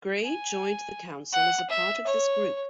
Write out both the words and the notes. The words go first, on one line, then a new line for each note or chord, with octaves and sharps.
Grey joined the Council as a part of this group.
G#5
F#5
E5
C#5